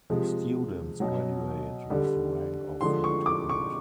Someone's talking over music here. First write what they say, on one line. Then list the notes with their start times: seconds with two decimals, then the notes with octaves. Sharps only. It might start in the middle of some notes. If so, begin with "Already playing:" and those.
Students graduate with the rank of lieutenant.
0.10 C3 F3 G#3
1.00 B2 F#3
1.90 D3 G3
2.81 D3 F3 G#3 C6
3.04 C#6
3.26 D6
3.50 C#6